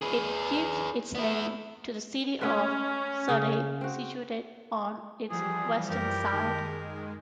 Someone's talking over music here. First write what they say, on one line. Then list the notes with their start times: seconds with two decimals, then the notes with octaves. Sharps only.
It gives its name to the city of Sirte situated on its western side.
0.02 G#4 B4
1.15 B3 E4
2.41 A3 C#4 B4
3.29 C#3 G#4
3.81 C4 F#4
5.30 E3 F3 G3 G#4
5.89 F#2 G4 A#4
6.32 D#3 G#3 A5